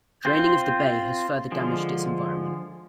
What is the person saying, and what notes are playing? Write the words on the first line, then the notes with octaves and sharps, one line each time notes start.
Draining of the bay has further damaged its environment.
C4 F4 C5
D3 F3 G#3